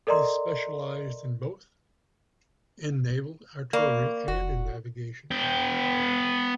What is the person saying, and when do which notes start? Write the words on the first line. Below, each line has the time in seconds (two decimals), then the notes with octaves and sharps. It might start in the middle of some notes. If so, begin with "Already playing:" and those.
He specialized in both in naval artillery and in navigation.
0.07 A4 A#4 D5 D#5 A#5 C6
3.73 A#3 D5 B5 C#6
4.28 F1 F#4
5.31 B3 G5